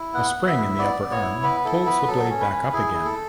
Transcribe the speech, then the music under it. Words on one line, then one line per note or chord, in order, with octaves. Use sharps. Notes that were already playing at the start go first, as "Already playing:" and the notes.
A spring in the upper arm pulls the blade back up again.
Already playing: E4
B3 F#5
B3
E5
E4
B3 D5
B3
C#5
E4
B3 B4
E4 A4
B3 B4
F#3 A4
C#4
B4
C#4
E4 G#4
E4
A4